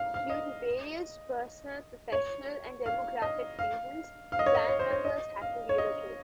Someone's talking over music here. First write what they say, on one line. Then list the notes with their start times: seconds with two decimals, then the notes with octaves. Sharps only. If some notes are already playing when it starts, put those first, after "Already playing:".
Due to various personal, professional, and demographic reasons the band members had to relocate.
Already playing: F5
0.14 F5
0.30 D#5
2.12 C#5
2.86 F5
3.22 D#5
3.59 F5
4.32 F5
4.39 D#5
4.46 C#5
4.55 D#5
4.69 C#5
4.79 C5
4.91 C#5
5.05 D#5
5.42 F5
5.69 C#5
5.78 D#5